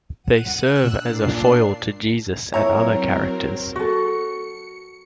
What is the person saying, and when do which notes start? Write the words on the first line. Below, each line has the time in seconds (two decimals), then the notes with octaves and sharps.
They serve as a foil to Jesus and to other characters.
0.24 F#5 D#7
0.55 E6 F#6
0.96 A#2 D4 C7
2.54 F#3 C4 E4 A#4 C#5 A#5
3.76 F#4 A4 C#7